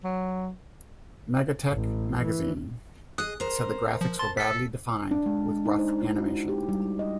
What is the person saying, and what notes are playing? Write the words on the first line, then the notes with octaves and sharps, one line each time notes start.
"MegaTech" magazine said the graphics were "badly defined with rough animation".
F#3
A1
E3
G#4 D#5 D#6 F#6
A#4 C5
F3
A5 C6
A4 E6 B6
D4
G#3
D#4
C5
E4
F#4
G4
G3
D#5